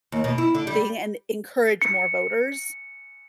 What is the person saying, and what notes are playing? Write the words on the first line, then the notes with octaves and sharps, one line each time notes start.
thing and encourage more voters
D#2
B2
E4
D3
G3
C#7